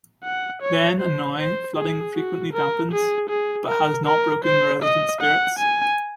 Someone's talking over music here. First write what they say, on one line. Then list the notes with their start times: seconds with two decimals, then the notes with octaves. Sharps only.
Then and now, flooding frequently dampens, but has not broken the residents' spirits.
0.24 F#5
0.62 C#5
1.00 C5
1.38 C5
1.76 G#4
2.16 F#4
2.53 A#4
2.92 G#4
3.30 G#4
3.68 A#4
4.06 A#4
4.45 C5
4.83 D#5
5.21 F#5
5.59 G#5